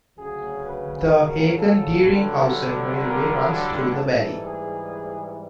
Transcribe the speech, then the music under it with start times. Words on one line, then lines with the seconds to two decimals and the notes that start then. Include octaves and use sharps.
The Hagen-Dieringhausen railway runs through the valley.
0.16 D2 C#3 F#3 G#4
0.64 B4
1.12 A#4
1.59 A4
2.06 G2 D3 F#3 A4
3.02 A#4
3.49 A4
3.97 G#2 E3 G3 A4
4.45 G#4